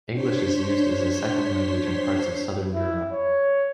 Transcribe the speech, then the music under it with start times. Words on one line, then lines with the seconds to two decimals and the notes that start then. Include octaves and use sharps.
English is used as a second language in parts of Southern Europe.
0.12 D4 C5 C#5 C6 B6
2.74 E4
3.13 C#5